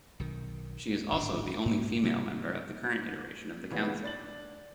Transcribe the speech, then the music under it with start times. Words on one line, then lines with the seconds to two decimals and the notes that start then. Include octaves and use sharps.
She is also the only female member of the current iteration of the council.
0.19 B1 D#3
1.12 D1 G#1 D4
1.66 G#2
2.03 C3 G3
3.70 A#2 C#3 E3 G3 B3
4.04 D4 A6 F#7